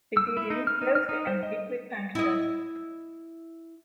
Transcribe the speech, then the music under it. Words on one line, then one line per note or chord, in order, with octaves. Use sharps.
Pygidium closely and deeply punctured.
E6
E4
D#4
F6
D#4
F6
D#4
C5
D#5
E4 D#5